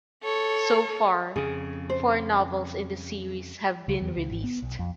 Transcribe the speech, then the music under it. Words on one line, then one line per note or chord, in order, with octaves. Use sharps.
So far four novels in the series have been released.
A4 C#5
F2 C#3 G#4
C5
C#2
E2
C#2
G#1
B3
B1
F2